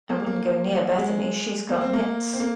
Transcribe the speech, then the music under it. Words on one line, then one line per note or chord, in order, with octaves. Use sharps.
I wouldn't go near Bethany, she's got nits.
A#3
A#3
G#3
A#3
C4
A#3
C4
A#3